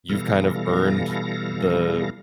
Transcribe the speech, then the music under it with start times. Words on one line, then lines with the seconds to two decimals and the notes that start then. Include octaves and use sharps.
you've kind of earned the
0.09 B2 E3 G3 A4 F5 A#6